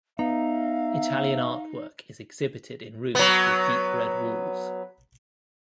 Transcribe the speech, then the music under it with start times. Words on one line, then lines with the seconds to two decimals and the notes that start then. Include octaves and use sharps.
Italian artwork is exhibited in rooms with deep red walls.
0.19 B3 D#4 E5 F5
3.15 F#3 B3